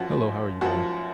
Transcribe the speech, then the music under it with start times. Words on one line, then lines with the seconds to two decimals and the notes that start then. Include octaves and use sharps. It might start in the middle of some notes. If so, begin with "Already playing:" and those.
Hello, how are you doing?
Already playing: F#2 F3 F#4
0.61 F#2 F3 F#4